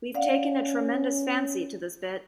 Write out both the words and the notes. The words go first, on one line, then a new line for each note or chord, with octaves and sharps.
We've taken a tremendous fancy to this bit.
C#4 D5 F5 F#5